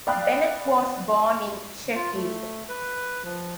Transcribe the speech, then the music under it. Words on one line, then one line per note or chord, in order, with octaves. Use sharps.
Bennett was born in Sheffield.
D5 F5 G5 B5 D#6 F#6
F4
A3
B4
F3